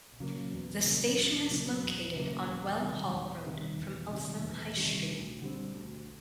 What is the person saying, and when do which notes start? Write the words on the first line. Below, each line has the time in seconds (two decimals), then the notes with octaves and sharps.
The station is located on Well Hall Road, from Eltham High Street.
0.20 C#3 F#3 A#3
0.53 E2
0.85 C#3 F#3 A#3
1.19 E2
1.50 C#3 F#3 A#3
1.83 E2
2.16 C#3 F#3 A#3
2.48 E2
2.81 C3 D#3 G3
3.13 E2
3.46 C3 D#3 G3
3.78 E2
4.12 C3 D#3 G3
4.44 E2
4.77 C3 D#3 G3
5.10 D2
5.42 D3 G3 C4
5.74 D2